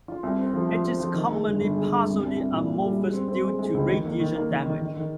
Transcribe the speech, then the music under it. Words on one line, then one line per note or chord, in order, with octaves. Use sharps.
It is commonly partially amorphous due to radiation damage.
F4
C2
C4
F3
F3
C4
F3
D#3
G#3
G1
G1
G#3
G1
C2
C2
C2
A#2
A#2
G3
G#3
C4
C4
G#3
G#3
C#2
D#3
A#3
D#3
A#3
D#3
D#3
D#3
D#3